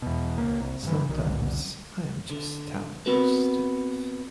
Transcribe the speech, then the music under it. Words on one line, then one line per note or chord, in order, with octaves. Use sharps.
Sometimes I am just telling you stuff.
E2 B2
C#2 A#3
C2
G2 D3 E3
B1 D#3
F1 C2 D3
D3
B3 C4 F#4 A#4 B4